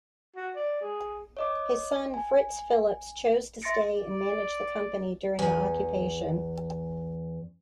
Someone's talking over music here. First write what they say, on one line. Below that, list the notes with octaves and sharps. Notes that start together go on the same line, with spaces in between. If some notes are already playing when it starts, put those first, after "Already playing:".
His son Frits Philips chose to stay and manage the company during the occupation.
F#4
D5
G#4
C#5 D#5 D6
G#5
E5 C6 A6 A#6 C#7 D7
D5
E2 G#5